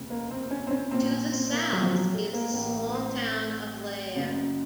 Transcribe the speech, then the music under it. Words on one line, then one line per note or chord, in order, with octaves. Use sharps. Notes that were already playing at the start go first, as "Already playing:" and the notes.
To the south is the small town of Lairg.
Already playing: F1 D#2 C#3
A#3
C4
C#4
C4
C#4
A#1 A#2 C4
C#4
C4
A#3
F#3
F3
F#3
A3
A#3
A1 A2 A#3
A#3
C4
F#1 F#2 C#3